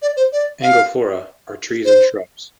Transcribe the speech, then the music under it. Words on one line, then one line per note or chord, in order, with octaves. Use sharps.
"Angophora" are trees and shrubs.
D5
C5
D5
F5
C5